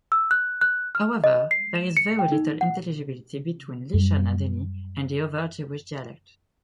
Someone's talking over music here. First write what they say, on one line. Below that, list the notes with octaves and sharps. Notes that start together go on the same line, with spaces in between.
However, there is very little intelligibility between Lishana Deni and the other Jewish dialects.
E6
F#6
F#6
F6
D#5
C7
E7
C#7
G5
D#4
F#5
F#2 G3